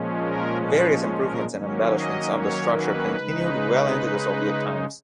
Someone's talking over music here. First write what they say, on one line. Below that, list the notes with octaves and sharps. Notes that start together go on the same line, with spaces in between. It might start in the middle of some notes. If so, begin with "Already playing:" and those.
Various improvements and embellishments of the structure continued well into the Soviet times.
Already playing: A#2 F3 G#3 C#4
A#4
B4
A#4
D#3 F#3 A#3 C#4
D#5
C#5
B4
C#3 G#3 D#4